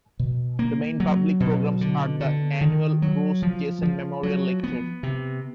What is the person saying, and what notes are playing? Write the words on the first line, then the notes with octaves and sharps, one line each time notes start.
The main public programs are the annual Bruce Jesson Memorial Lecture.
B2
A#3
F#3
B2
D3
D3
D#3
F#3
F3
F3
F#3
B3
C3